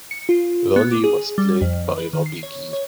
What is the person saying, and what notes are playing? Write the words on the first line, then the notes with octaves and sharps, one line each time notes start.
Roly was played by Robbie Gee.
C#7
F4
B3
D6
G#4
G3
F2
B4
D#3
C7
C#5
C#5